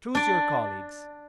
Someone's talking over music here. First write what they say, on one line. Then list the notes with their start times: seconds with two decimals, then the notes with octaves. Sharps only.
"Choose your colleagues."
0.15 D4 D5